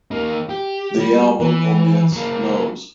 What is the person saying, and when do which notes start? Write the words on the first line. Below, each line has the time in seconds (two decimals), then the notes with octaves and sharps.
The album omits Nos.
0.11 A#3 D#4
0.49 G4
0.99 G3
1.40 E3
2.12 F#3 A#3